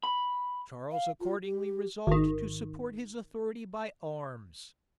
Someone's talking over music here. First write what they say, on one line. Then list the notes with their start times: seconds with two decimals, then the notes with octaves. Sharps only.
Charles accordingly resolved to support his authority by arms.
0.04 B5
0.92 F5
1.20 F4
1.44 G4
2.07 G#1 D#3